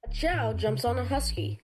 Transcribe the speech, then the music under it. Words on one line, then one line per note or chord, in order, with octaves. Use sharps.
A chow jumps on a huskey.
D1
A2
F2
C3
F#2
A1
G#2